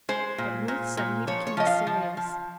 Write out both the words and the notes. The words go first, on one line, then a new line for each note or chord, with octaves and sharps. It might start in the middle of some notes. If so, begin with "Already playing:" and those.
But Ruth suddenly became serious.
G#3 C5
A#2
A#2
A#2
F3 C#5
C#5
F3 D#5
F5
F3
F3